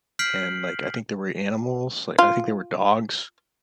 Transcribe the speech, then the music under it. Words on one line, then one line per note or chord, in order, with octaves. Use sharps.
and, like, I think there were animals, like, I think there were dogs,
F6 G6 B6 C7 D7 F#7
F4